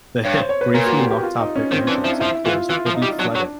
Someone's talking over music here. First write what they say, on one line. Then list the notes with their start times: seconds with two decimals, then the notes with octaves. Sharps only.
The hit briefly knocked out her engines and caused heavy flooding.
0.25 G2 C#5
0.37 C5
0.49 C#5
0.61 B4
0.74 A#2 A#4
0.86 F#4
0.99 G4
1.11 G4
1.23 F4
1.39 D#4
1.56 C#4
1.71 D#3 C4
1.88 E3 D4
2.04 F3 E4
2.20 F3 E4
2.45 E3 F4
2.70 E3 F4
2.86 F3
2.95 D#4
3.02 G3
3.19 F#3 D4
3.35 F#3